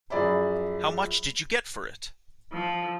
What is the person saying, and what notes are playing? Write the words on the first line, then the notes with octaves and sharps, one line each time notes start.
How much did you get for it?
F#2 F3 G#4 D5 E5 B5
F3